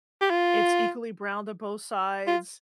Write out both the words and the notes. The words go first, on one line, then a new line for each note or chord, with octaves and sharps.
it's equally browned on both sides
G4
F4
F4